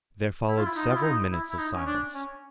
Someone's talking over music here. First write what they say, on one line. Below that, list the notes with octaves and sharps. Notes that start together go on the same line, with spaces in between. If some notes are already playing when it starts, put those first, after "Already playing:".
There followed several minutes of silence.
E4
F4
E4
D#4
F4
E4
D#4
E4
E4
D#4
C#4
D4
C#4